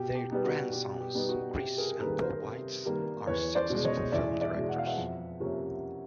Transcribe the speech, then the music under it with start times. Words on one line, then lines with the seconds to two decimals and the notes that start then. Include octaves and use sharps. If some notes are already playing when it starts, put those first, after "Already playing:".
Their grandsons, Chris and Paul Weitz, are successful film directors.
Already playing: B2 G4
0.15 G4
0.30 G3 B3 D#4
0.44 F#4
0.72 B2 G4
1.01 G4
1.15 G3 B3 D#4
1.29 F#4
1.57 C3 G4
1.78 G#4 A#4
1.99 D#3 G3 A#3 A4 B4
2.12 B4
2.21 A#4 C5
2.42 C3
2.85 D#3 G3 A#3
3.27 E2 B4 C#5
3.55 C5 D5
3.70 B2 G#3
3.85 C#5 D#5
4.12 E2 D5 E5
4.41 D5 E5
4.55 B2 G#3
4.69 F#5
4.78 F5
4.87 E5 F#5
4.97 F2
5.40 C3 F3 A#3 C#4